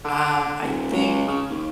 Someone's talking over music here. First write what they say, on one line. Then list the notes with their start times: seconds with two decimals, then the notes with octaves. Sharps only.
i um, I think
0.05 D3
0.62 D#1
0.92 C#2
1.28 C#3
1.50 D#2